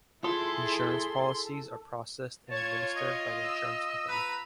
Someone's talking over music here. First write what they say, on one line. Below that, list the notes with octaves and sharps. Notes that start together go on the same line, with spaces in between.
Insurance policies are processed and administered by the insurance company.
E4 F4 G#4 A4 C6
F4 C#5 A5 G#6
D#5
E6
B4 A#5 B5